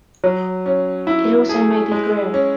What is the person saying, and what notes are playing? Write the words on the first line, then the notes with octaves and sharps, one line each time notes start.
It also may be grilled.
F#3
C#4
E4
G#4
G#3
C#4